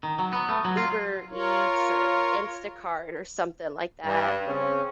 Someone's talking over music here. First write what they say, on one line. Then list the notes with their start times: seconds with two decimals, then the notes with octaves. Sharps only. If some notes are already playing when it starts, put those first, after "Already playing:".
Uber Eats, or Instacart, or something like that,
0.03 D#3
0.19 F#3
0.33 B3
0.49 A3
0.65 F#3
0.77 F4
1.31 F4 A#4 C#5
4.05 G2
4.47 C#3 C4 C#4